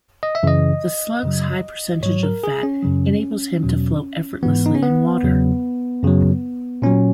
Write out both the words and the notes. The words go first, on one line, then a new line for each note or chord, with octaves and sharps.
The Slug's high percentage of fat enables him to float effortlessly in water.
D#5
E5
F#2 C#3 E3 D#5
F#2 C#3 F#3
G#2 F#3 C#5
A#4
G#4
C#4
F#2 C#3 F#3
E2 B2 F#3
G#2 E3 B3
D#4
C#4
B3
E2 C#3 F#3
F#2 C#3 F#3
A#2 F#3 C#4